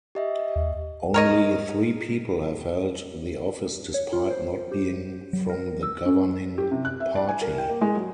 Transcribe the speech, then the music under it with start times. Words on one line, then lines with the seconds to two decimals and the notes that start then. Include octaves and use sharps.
Only three people have held the office despite not being from the governing party.
0.15 G4 D#5 E5
0.56 D#2
1.14 A#4 C#5 D#5
3.94 C#5
4.13 F4
4.30 C5
4.72 G4
5.33 F#3
5.49 A#4
5.83 E6
6.06 C#4
6.58 G4
6.71 C3
6.85 F#6
7.00 E5
7.15 D5
7.29 G#5
7.41 A#4
7.58 G5
7.69 A#3
7.81 G#3
7.95 F#3